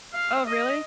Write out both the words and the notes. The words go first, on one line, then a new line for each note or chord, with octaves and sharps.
Oh, really?
F5
D#5